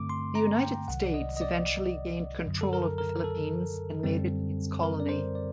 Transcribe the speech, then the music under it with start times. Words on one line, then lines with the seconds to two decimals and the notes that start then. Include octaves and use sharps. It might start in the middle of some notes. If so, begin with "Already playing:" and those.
The United States eventually gained control of the Philippines and made it its colony.
Already playing: G2 D3 A3 C4 D6
0.09 C6
0.35 A#5
0.62 G5
0.88 C2 C3 D#3 F#3 F#5
1.04 D5
1.14 D#5
1.37 D#5
1.41 D5
2.46 F#2 D3 F#3
2.61 A4
2.73 A#4
2.98 A#4
3.24 A4
4.03 F#2 D3 G3 C4
4.83 A#4
5.00 D5
5.09 C5
5.35 D5